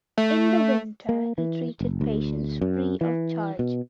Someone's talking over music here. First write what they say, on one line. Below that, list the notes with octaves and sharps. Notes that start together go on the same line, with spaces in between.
In the winter he treated patients free of charge.
A3
A#3
E3
F#1
D2
F#2
E3
B2